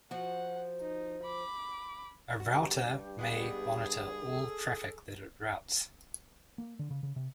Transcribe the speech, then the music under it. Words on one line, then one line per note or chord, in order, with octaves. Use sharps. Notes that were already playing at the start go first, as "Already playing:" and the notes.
A router may monitor all traffic that it routes.
F3 F#4 F#5
D#4
B5 D6
G2 F#4 G4
G#3 B3 D4 G#4
A4
A#3
D3
C#3
C#3
C3